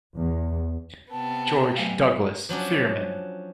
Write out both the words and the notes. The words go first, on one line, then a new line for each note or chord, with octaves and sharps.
George Douglas Fearman.
E2
C3 B3 G5 A5
F#3 A3 F5 G#5
F3 F#3 C#4 D4